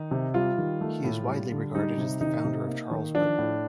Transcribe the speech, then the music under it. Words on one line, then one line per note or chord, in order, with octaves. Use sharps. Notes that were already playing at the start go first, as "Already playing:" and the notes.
He is widely regarded as the founder of Charleswood.
Already playing: D#3 D#4
C3
G3 F4
D#3
A3
A2
G3
D3
G3 D#4
C3
D#3 D#4
C3
A#3
D#3
F3 D4
A2